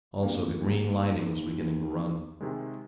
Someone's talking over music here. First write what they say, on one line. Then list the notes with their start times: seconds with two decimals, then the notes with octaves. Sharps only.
Also the green lining was beginning to run.
0.23 D1 A#3
0.60 D#2
2.41 C3 D#3 G#3